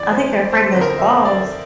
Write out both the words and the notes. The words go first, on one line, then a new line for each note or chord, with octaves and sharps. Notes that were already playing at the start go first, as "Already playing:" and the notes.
I think they're afraid of those claws.
Already playing: F2 E3 D5
C5
C5
C5
F2 D3 C5
A#4
C5
E5
D5